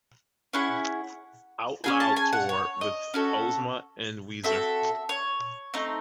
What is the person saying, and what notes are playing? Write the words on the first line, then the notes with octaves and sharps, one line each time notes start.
Outloud tour with Ozma and Weezer.
C#4 E4 G#4 F#5
C#4 E4 G#4 G#5
A5
G#5
F#5
C#5
D#5
C#4 F#4 A4
C4 F#4 A4 E5
C#5
A3 C4 D#4